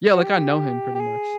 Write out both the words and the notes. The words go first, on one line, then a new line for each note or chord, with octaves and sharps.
Yeah like, I know him pretty much.
F#4
G4
G4
G#4